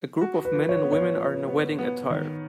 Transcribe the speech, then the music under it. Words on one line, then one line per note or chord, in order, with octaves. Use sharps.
A group of men and women are in wedding attire.
F#4
B4
F3
C#5
B3
C#5
F3
B3
B3
D#3